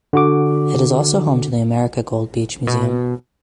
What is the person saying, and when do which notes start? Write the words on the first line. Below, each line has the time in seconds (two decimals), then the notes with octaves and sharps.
It is also home to the America Gold Beach Museum.
0.13 D3 F#4 D6
2.67 B2